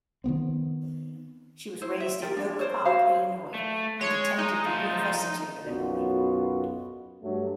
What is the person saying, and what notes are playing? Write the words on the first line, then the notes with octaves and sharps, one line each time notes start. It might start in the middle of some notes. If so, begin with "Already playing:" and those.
She was raised in Oak Park, Illinois, and attended the University of Illinois.
D#3 F3 B3 C4
E4 C5
E5
F4 G4 A#4
D4
A#4 C5 C#5
F#4 C5 C#5 F5
A3
G#3 C#5
D#4
F3 A3 F4
B1 F#2 B2 B3 F4 F#4
G2 F#3 A3